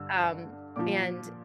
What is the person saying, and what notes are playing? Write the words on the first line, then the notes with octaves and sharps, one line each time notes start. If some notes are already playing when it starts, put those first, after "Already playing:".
um and
Already playing: G2 D3 E6
A#2 F3 D6